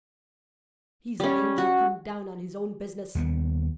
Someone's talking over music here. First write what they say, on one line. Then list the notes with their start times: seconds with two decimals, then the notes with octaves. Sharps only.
He's a angel come down on his own business.
1.20 G3 C#4
1.58 F#4
3.15 D#2 G3 B3